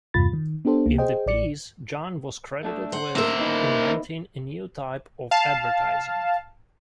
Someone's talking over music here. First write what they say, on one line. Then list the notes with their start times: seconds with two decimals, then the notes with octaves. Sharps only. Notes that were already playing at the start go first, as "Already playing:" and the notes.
In the piece John was credited with inventing a new type of advertising.
0.14 E2 G2 C3 F4 B5 A6
0.33 D#3
0.65 B3 D4 G4 A4 C5
0.86 C#2 A#3
0.98 G#4 C5 D#5 G5
1.26 A1 D5 C#7
2.63 A3 D4 A4
2.92 C5 F#5
3.15 B1 A2 D3 A#3 A#4 C5 E5
3.37 B3 D#4 E4
5.31 F5 A5